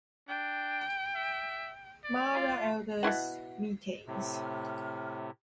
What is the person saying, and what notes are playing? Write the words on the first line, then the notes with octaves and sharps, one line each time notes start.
Mara Elders Meetings.
D4 G5
E5
D5
F4
B2 D4 E4 F#5
A2 C3